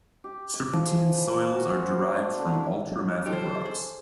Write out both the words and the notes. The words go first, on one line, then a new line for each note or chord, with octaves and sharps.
Serpentine soils are derived from ultramafic rocks.
G4
D6
F3
G#4
B5
A#3
F#4
C5
G#4
D4
D3
E4
F#3
D#4 F4 G4 A4 C5
G#4